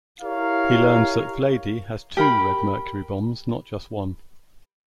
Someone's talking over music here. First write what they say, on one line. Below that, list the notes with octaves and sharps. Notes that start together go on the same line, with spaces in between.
He learns that Vlady has two Red Mercury bombs, not just one.
E4 G4 A#4 C#5 F5
G4 A#4 B5